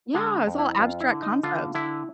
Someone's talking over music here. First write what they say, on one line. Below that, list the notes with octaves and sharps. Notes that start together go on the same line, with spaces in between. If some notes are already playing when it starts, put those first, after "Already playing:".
Yeah, it's all abstract concepts.
D3 G#3
F2
E4
F2 F4
E4
D3
D#4
D3 F4
D3 E4